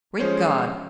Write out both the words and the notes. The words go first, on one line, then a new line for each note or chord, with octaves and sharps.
Great God!
F3 G#3 C#4 C5 C#5